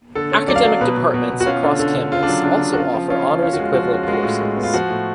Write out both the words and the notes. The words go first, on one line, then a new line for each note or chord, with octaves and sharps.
Academic departments across campus also offer honors equivalent courses.
D3 A4
C#4
F#3 D5
F5
F#3 D5
B2 B4
B2
B2
B2
F#4
C#4 F4
D3
D3
D3
C#3 F4
D4
F#3
C#3 D4
C#3
F#4
C#3 F4
F3
C#4 F4
C#3
C#4 F4
F#4
G#3 F4
F3 F#4
F4
C#4 F#4
G#3 F4
F#4
A2 F4
G#3
B3
F4
F3 F#4
A2